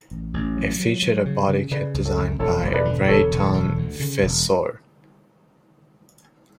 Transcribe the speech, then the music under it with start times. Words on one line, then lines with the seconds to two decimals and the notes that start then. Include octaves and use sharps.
It featured a body kit designed by Rayton Fissore.
0.11 A1
0.34 A1
0.57 F#3
0.80 F#3
1.02 F#3
1.26 C#3
1.48 C#3
1.71 C#3 B4 D5
1.94 C#2
2.05 A4 C#5
2.17 C#2
2.39 E1 A4 C#5
2.63 E1
2.74 B4 D5
2.85 D3
3.08 E1 A4 C#5
3.31 E1
3.54 D3
3.77 D2
4.00 C#3
4.23 E1